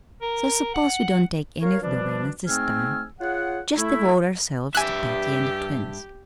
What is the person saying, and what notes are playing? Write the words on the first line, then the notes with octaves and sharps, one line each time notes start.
"So suppose we don't take any of the Whalens this time--just devote ourselves to Patty and the twins."
A#4
F#5
A#4 C#5 F5
B2 F3 G3 D4
G#2 A3 C4 G#5 E6 F6
F4 G#4 C#5 F#5
A3 E4
G2 G4 E5 G#5 F#6